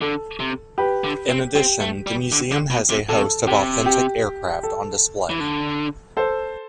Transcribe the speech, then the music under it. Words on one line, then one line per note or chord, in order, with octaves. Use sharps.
In addition the museum has a host of authentic aircraft on display.
D3 A4
C3
G4 B4
D3
C4
C4 G4
A3
G3
D3
D3
B2
C3
C3 A4
C3 G4
G4
A4
E3
D3
A4 C5